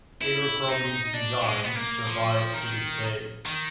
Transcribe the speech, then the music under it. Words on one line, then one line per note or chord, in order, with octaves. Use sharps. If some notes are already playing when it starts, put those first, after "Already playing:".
Abercrombies design survives to this day.
E4
D#4
D4
A3
G#3
B3
A#3
F3
D#3
D#3